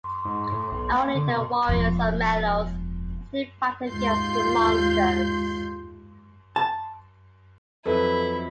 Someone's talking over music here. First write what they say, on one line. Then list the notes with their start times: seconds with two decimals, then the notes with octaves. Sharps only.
Only the "Warriors of Melos" are still fighting against the "Monsters".
0.25 G#2
0.52 A2
0.72 B1
0.91 A#3
1.15 D3
1.27 B2
1.69 E1 F3
3.90 D#2 G#2 F4 C6 G6 C7
6.56 A5
7.86 F2 F#3 E4 A4 B4